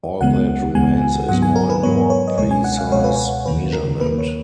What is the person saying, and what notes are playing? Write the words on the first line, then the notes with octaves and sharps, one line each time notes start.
All that remains is more and more precise measurement.
C#2 C#3 G#3 B3 F#5
C#2 C#3 G#3 B3 G#5
G#2 F#3 B3 F#5
G#5
A#4
B4
G#2 F#3 B3 C#5
C#5
D#5
C#2 B2 G#3 C#5
G#5
F#5
F5
C#2 B2 G#3 C#5
B4
C#5
D#2 D#3 A#3 B4
A#4
D#2 D#3 A#3 B4
C#5